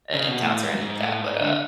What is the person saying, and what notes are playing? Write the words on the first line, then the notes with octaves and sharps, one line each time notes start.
en encounter any of that, but, uh,
C#3
B2
A2
G#2
F#2
G#2
A2
G#2
D3